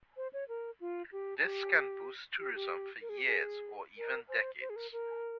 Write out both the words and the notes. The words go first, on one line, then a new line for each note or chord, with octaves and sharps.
This can boost tourism for years or even decades.
C5
C#5
A#4
F4
G4
G4
G4
G4
A#4
G#4
G4
G#4
A#4
C5
C5
G#4
A#4
A#4